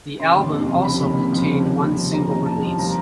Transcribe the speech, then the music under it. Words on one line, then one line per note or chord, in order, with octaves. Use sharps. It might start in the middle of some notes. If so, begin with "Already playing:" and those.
The album also contained one single release.
C#3 C6
D#2
F1
F3
C#3 B5
D#2
F1
F3
C#3
D#2
F1
F3
C#3 A#5
D#2
F1 A5
F3
F3 A#5